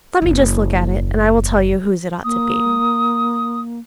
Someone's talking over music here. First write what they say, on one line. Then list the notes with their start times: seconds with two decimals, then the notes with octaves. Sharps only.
'Let me just look at it, and I will tell you whose it ought to be.'
0.22 F#1 D#2
2.24 A#3 D#6